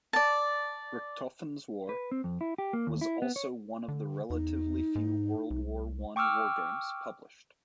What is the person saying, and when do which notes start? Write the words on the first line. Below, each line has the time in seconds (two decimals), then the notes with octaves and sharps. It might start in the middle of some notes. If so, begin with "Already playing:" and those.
"Richthofen's War" was also one of the relatively few World War One wargames published.
0.13 D5 A5
1.89 B4
2.11 C4
2.24 F2
2.41 E4
2.58 G4
2.73 A#3
2.87 D#2
3.01 E4
3.22 B3
3.36 C#5
3.88 D3
4.30 E2 D#4
4.95 G#2
5.51 C2
6.16 G5 C#6 D6 E6 F6